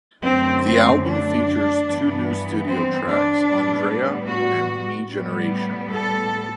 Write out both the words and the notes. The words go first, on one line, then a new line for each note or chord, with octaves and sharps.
The album features two new studio tracks: "Andrea" and "Me Generation".
F#2 D3 A3 C4
C4
D4
G2 E3 B3
C4
D4
A2 G3 B3
F#4
A2 G3 B3
A4